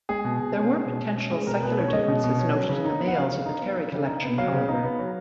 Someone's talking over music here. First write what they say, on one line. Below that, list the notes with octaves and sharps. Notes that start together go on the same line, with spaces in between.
There were potential secular differences noted in the males of the Terry collection, however.
G#3 G#4
B2
B2
C#4
G#3
B2
B2
C#4
G#3 G#4
B2 A#4
B2 B4
C#4 C#5
C#5
G#3 D#5
B2
B2
C#4
F#3
C#3
D#4
B3
F#5
F#3 F5
C#3
D#4
B3
F#3
C#3
D#4
B3
F#3 F5
C#3
D#4
B3
F#3